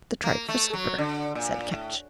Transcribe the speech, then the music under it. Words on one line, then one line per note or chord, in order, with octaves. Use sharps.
"The tripe for supper," said Ketch.
A#3
A3
F#3
D3
A#2
A2